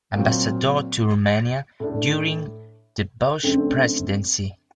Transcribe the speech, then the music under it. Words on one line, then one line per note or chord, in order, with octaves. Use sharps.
Ambassador to Romania during the Bush Presidency.
A#2 F#3 C4
A2 A3 D4
F#2 D3 A3 C4